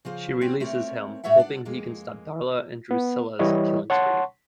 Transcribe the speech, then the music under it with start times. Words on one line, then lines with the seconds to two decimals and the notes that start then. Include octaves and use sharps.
She releases him, hoping he can stop Darla and Drusilla's killing spree.
0.05 C#3 F3 F4 C5
0.41 C4 F#4 C#5 G5
0.60 A3 C4 A#4 C#5
1.24 A2 A3 F#4 C#5 E5 F#5
1.38 D4 D5 F#5
1.65 F2 G#3 A#3
2.91 B3
3.39 E3 G3 E4 C#5 D#5
3.90 C#5 F#5 A5 C6 C#6